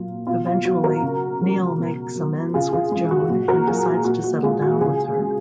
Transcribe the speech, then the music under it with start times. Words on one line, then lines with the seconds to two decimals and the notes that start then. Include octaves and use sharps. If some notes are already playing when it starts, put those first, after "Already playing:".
Eventually, Neal makes amends with Joan, and decides to settle down with her.
Already playing: A#2 F#3 F4
0.27 B2 F4
0.46 F4
0.65 F#3 F#4
0.84 F#4 A#4
1.02 C#3
1.41 F3 G#3
1.78 B2
2.15 F#3
2.54 C#3 F4 G#4
2.73 F4 G#4
2.91 F3 G#3 F4
3.11 F#4
3.21 G#4
3.29 A#2 F#4
3.48 F#4 A#4
3.67 F#3 F4 G#4
3.86 F#4
4.05 A#2 F#4
4.24 F#4
4.43 G#3 F4 G#4
4.62 F#4
4.80 C#3 F4 G#4
5.19 G#3